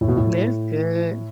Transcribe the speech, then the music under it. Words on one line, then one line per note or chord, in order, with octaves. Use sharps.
That's good.
A2
B2
A2